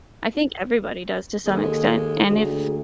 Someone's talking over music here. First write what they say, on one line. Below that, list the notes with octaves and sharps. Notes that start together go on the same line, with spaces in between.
I think everybody does to some extent, and if
D#2 G#3 A4
D2 G#4